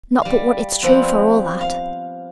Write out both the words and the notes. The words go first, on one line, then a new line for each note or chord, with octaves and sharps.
Not but what it's true for all that.'
G3 F5
F3 G3 B3 C4
F5